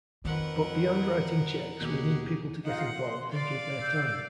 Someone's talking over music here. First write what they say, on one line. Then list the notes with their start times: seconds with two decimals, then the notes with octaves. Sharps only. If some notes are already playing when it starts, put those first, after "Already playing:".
But beyond writing checks, we need people to get involved and give their time.
0.25 F2 D#3 A#4 B4 F#5
1.80 D#2 B2 G4 G#4
2.65 D#4 F4 F5 F#5
3.01 C6
3.32 D5 F5
3.81 E6 G6